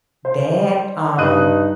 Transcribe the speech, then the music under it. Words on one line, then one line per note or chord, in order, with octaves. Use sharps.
dad, um
C5
G2 D#4 D#6 F#6 D#7